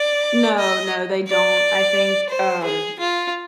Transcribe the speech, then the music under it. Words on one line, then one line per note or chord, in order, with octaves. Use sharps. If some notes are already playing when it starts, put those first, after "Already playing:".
No, no, they don't. I think, um,
Already playing: D5
D#5
D5
C5
G#4
F4